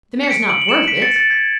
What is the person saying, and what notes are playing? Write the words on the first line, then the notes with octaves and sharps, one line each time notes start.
The mare's not worth it.
C#7
B6 D7
D7 F#7
F#7
C#7 E7
B6 D7
B6
A6 C#7
A6
G#6 B6